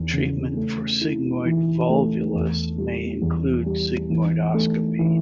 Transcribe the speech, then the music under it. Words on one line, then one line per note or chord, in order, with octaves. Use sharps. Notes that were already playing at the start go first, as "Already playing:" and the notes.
Treatment for sigmoid volvulus may include sigmoidoscopy.
Already playing: E2
C#3
A3
E4
E3
A3
E2
G3
E2
G3
E3
A3
E3